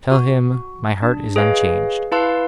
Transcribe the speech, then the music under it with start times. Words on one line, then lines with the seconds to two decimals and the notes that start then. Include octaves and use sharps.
Tell him, my heart is unchanged.
0.12 F#4
1.02 D4
1.36 G#4 B4 C#5 D#5 F5
2.12 E4 B4 F5 A5 C6 E6